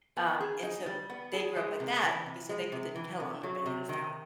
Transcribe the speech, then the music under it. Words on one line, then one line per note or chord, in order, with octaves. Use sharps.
Um, and so, they grew up like that, but so they put the Nutella on their bananas now.
B3
G#4
D#4
G3
B3
G#4
G#3
C3
E3
C3
G#3
C3
E3
C3
F#3
C3
D#3